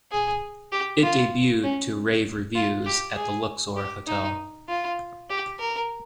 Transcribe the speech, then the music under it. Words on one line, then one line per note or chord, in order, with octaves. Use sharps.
It debuted to rave reviews at the Luxor Hotel.
G#4
G4
F4
C#4
F4
G4
G#4
G4
D#4
F4
G4
A#4